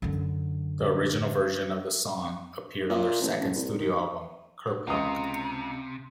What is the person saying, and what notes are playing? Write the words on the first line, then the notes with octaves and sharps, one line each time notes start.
The original version of the song appeared on their second studio album, "Kerplunk".
F#2 D3
A#2
A1
F#1
C2
D#3
C#2 C3 A#5 D#6